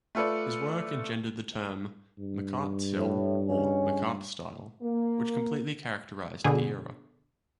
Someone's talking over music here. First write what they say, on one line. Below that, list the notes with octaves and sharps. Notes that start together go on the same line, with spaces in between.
His work engendered the term "Makartstil", or "Makart style", which completely characterized the era.
A3 F4 A4 B4 D5
G2
A2
C#2 C#4
A#3
B2 D3 G#4